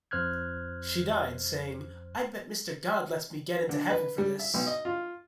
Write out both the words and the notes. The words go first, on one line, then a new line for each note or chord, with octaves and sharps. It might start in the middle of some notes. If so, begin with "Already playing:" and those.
She died saying, 'I bet Mister God lets me get into heaven for this'.
F2 C5 F6 F#6 G#6
D3
B4
G3
E5
B1
D#5
F4